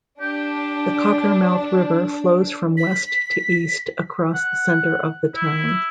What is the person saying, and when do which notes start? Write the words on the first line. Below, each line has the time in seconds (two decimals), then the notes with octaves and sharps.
The Cockermouth River flows from west to east across the center of the town.
0.21 D4 G4
2.77 B6
4.34 F#5
5.35 E4